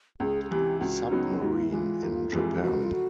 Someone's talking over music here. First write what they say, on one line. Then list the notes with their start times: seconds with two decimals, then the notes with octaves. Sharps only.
Submarine in Japan.
0.20 C#2 G#4
0.44 G#4
0.50 C3 E3 G4
0.81 C#2 F#4
1.11 C#3 F#3 B3 D#4
1.41 G#2 F#4
1.52 F4
1.63 E4
1.72 E3 G#3 F4
2.02 G1
2.32 F2 C3 E3 G#3
2.55 G4
2.62 F1 F#4
2.83 F4
2.92 F#4